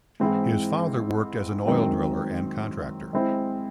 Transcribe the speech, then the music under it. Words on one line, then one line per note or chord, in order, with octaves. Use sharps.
His father worked as an oil driller and contractor.
G#2 E3 C4 E4 G#4
F#2 D#3 G#3 C4
G#3 C4 E4 C5